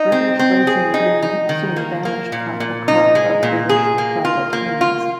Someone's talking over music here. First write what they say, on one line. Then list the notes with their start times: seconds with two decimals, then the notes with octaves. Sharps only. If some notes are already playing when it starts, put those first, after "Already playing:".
British Racing Green soon vanished from the cars of British private teams.
Already playing: D#4
0.12 C4
0.39 C4
0.67 G#4
0.94 D#4
1.22 D#4
1.49 D#3
1.76 A#3
2.05 A#3
2.32 A#2
2.60 A#2
2.88 D#4
3.15 G#3
3.43 A#2
3.69 G#4
3.98 A#3
4.25 F4
4.53 A#3
4.81 F4